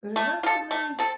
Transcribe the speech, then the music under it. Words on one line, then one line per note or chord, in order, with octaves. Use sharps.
there's not too many
A3
F4 A4
A3
C4 A4